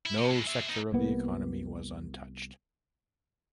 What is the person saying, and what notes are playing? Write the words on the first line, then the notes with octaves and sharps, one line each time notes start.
No sector of the economy was untouched.
E4
C3
G#3 E4
G#4 E5
B3 D#4
C2 A#3 B3